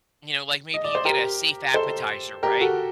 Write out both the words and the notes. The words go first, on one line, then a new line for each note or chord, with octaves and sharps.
you know, like, maybe you get a safe appetizer, right?
D#5
D5
C5
G4 A#4
A4 C5
G4 A#4
F#4 A4